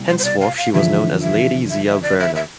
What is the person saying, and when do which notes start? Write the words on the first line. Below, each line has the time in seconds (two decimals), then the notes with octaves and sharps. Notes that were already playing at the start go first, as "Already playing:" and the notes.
Henceforth she was known as Lady Zia Wernher.
Already playing: C2 B2
0.08 C5
0.19 C5
0.25 D5
0.41 F5
0.58 F5
0.73 E2 D3 F3 E5
1.22 E5
1.70 E5
1.87 E5
2.03 D5
2.20 E5
2.36 E5